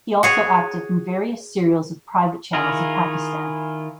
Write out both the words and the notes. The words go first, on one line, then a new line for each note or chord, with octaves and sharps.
He also acted in various serials of private channels of Pakistan.
F#4 G#4 C#5
D#3 E4 F4 G#4 A#4